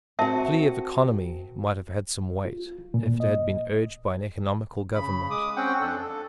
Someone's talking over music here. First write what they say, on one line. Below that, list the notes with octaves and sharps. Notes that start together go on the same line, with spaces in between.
The plea of economy might have had some weight, if it had been urged by an economical government.
C4 F#4 A#4 E5 A5
F4
A#2
D#5
C#3 B5
G#3 D6 D#6
C4 C#4 F#5 G5
F2 D4 A4
A4